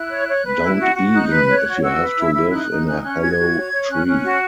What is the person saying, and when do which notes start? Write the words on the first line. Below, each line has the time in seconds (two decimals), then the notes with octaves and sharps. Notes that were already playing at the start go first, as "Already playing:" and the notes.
Don't even if you have to live in a hollow tree!
Already playing: E4 F#6
0.10 C#5
0.28 C#5
0.44 B4
0.61 E4
0.79 F#4
0.95 F#4
1.13 D#4 F#6
1.30 B4
1.48 C#5
1.66 F#4
1.82 F#4 E6
2.00 B4
2.17 E4
2.34 E4
2.51 D#4 F#6
2.69 D#4
2.86 C#4 F#6
3.03 C#4 F#6
3.20 F#4 G#6
3.38 F#4
3.55 C#5
3.72 C#5
3.89 C#4 F#6
4.07 C#4
4.24 F#4